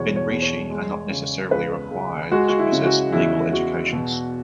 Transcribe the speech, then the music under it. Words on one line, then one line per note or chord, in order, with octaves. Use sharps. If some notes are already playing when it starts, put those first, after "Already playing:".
Benrishi are not necessarily required to possess legal educations.
Already playing: E2 B2 C#5
C#5
E2
C#5
G#3
C#3
C#2 B4
C#2
G#3 F#4
F#4
E4
C#3
F#4
E2 E4
E2 F#4
B2